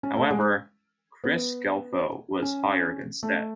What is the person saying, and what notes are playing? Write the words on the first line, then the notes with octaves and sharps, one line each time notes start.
However, Chris Scelfo was hired instead.
C#4
A3
G#3
B3
C#4
A3